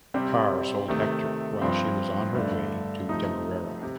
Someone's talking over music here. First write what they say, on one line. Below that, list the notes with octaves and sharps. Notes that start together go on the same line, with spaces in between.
Parr sold "Hector" while she was on her way to Demerara.
C3 G3 C4
C3 D#3 A3
G2 F3 C4
G2 D3 A3
C3 F3 A3 D#4
C3